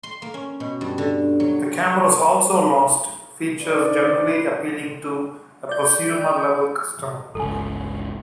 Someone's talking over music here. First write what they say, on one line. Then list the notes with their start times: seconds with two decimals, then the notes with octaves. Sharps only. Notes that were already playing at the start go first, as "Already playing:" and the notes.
The cameras also lost features generally appealing to a prosumer level customer.
0.03 C6
0.22 A#3
0.34 C#4
0.60 B2
0.81 G2
0.98 D3
1.40 F#3
3.61 D4 D#4 B4 C5 D5
5.69 D5 G6
7.35 G1 C#2 A4 G#5